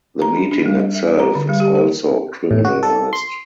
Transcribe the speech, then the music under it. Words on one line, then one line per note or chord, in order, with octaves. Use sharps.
The meeting itself is also criminalized.
A#5
D4
D4
G3
D#5
E5
D5
A#5
D3
G3
G4
G4
A2
F#4
A4
C6